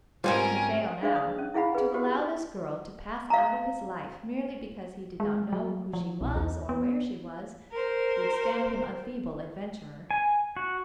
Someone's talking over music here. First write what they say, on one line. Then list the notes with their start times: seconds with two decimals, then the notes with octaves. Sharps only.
To fail now, to allow this girl to pass out of his life merely because he did not know who she was or where she was, would stamp him a feeble adventurer.
0.24 G#2 G3 C4 C#4 F4 A#4 C5 G#5
1.02 D4 G#4 C5 D5 F5
1.16 D#6
1.38 C#4
1.54 E4 G#4 F5 F#5 B5
1.75 G#4 B4
1.94 F#4 G4 C5
3.30 F5 A#5
5.20 G#3
5.53 F#3
5.93 F3
6.21 B1
6.36 E2
6.69 B3
7.72 A#4 C5
10.11 G#5
10.57 F#4